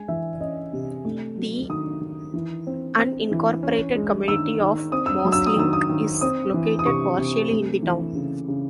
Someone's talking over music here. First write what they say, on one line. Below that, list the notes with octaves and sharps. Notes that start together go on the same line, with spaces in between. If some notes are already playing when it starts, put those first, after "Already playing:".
The unincorporated community of Mosling is located partially in the town.
Already playing: G#3 G#5
E3 E5
C#4 D#5
C3
A3
F#3
D#3 D#6
D#3
E3
C4
C4
E3
C#4
G#3
D#3 E6
D#3
C4 D#6
E6
D#6
F#3
E6
D#6
D#3 E6
D#6
D#3
C4 D#6
E3
D#6
C3 C#6
C3
A3
E3
C#3
C#3